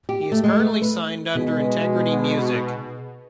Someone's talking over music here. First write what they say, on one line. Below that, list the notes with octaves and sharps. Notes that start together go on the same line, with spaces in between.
He is currently signed under Integrity Music.
G4
A3
G#3
A3
B4
B2 G#3 D#4 G#4 B4